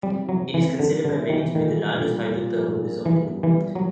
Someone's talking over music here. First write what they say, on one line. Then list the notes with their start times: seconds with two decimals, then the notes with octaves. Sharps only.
It is considered by many to be the largest hydro-thermal resort in the world.
0.03 G3 C4
0.23 E4
0.29 F#3
0.42 C4
0.54 E3
0.61 C4
0.79 D3 G3
0.98 G3
1.05 D3
1.16 E4
1.30 D#3
1.36 E3
1.55 A#2 D#3
1.74 G3
1.93 A#2
2.11 G3
2.30 A#2
2.49 F3
2.68 A#2
2.87 A#3
3.05 E3 G3
3.25 B3
3.43 E3 G3
3.62 G3
3.75 F#3